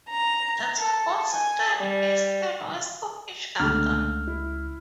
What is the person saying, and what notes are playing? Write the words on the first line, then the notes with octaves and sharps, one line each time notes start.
The two goals stand east and west of each other.
A#5
A4
G#5
G3
C#2 D3 A3 F6
E4